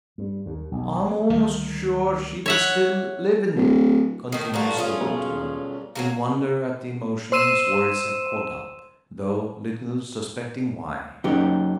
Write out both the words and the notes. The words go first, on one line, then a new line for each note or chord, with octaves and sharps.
"I'm almost sure she be still livin'," continues the waterman, in wonder at the emotion his words have called up, though little suspecting why.
G2
D#2
B1
D2 D#3 G3
C#5 E5 F#5
D1
A2 D#3
G2 A#2 D3 F3 A3 F#4
C#4 F4 G#4
B1
F#3 G3 A#3
C5 C6 E6 D#7 E7
F#1 F#3 D#4 G4